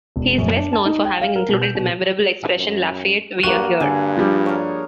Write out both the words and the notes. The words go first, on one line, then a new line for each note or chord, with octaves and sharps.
He is best known for having included the memorable expression Lafayette, we are here!
E1
F#2
D4
A5
D#4
G5
F5
A#4
B2
G6
B2
F#2
G2 A#3 F#4 A#4 D#7
G2 D3 G#4
F3 G3 D4
A#4 C#5